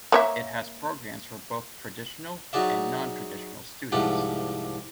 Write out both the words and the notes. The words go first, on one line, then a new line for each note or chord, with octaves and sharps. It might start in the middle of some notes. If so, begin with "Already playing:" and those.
It has programs for both traditional and non-traditional students.
A#3 C#5 E5
F#3 D#4 F#4 G#4 D5 E5
C2 G#2 F3 A3 G4 F#5